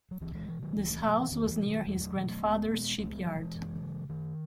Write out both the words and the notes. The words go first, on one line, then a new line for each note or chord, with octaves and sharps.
This house was near his grandfathers ship yard.
F#3
C#2 E3
E3 G#3
B2 E3
D#3 F#3
C#2 E3
A3
B2 G#3
F#3
E3
E2 D#3
E3
B2
D#3 F#3
E2 E3 G#3
F#3 A3
B2 E3 G#3
F#3 A3
C#2 G#3 B3
B2
C#2 A3 C#4
G#3 B3
B2 F#3 A3
E3 G#3
F#2
C#3
F#2 D#3